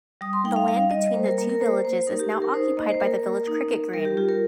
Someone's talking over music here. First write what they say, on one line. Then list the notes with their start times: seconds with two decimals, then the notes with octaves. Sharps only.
The land between the two villages is now occupied by the village cricket green.
0.21 G3 D#6
0.33 C6
0.45 D#4 G5
0.56 F5
0.68 G3 F5
0.91 G3 D#5
1.14 A#3 C5
1.26 A#4
1.38 A#3
1.50 A#4
1.61 A#3 C5
1.84 A#3 C5
2.07 D#4 A#4
2.19 G4
2.30 D#4 G4
2.42 A#4
2.54 D#4 C5
2.77 A#3 D#5
2.89 C5
3.00 A#3 A#4
3.24 A#3
3.47 D#4
3.70 D#4
3.93 G3 A#4
4.05 G4
4.17 F4 G4
4.29 A#4